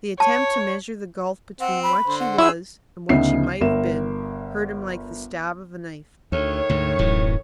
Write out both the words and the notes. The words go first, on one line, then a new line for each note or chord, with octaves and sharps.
The attempt to measure the gulf between what she was and what she might have been hurt him like the stab of a knife.
C#5 A5
C4 F#5
B5
D3 C5
F#5
E4 G#4 C6 E6
D2 C#3 B3 D#4 E5 C7
G1 A#4 E5 E7
D2 D#3 A3 C#5
D2 G#2
D1 F#2 A2 E3